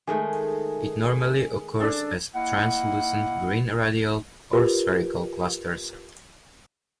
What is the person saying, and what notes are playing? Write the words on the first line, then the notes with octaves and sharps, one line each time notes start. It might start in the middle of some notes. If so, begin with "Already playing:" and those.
It normally occurs as translucent green radial or spherical clusters.
D#3 G#3 A3 G#4
D4 A4
A#3 E4 D#5 F#5
F4 G4 A#4 B4